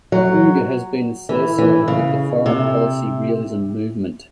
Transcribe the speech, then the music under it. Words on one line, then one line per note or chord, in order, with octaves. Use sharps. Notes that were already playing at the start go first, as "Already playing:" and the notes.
Ruger has been associated with the foreign policy realism movement.
F#3
E3
E3
C#3
C3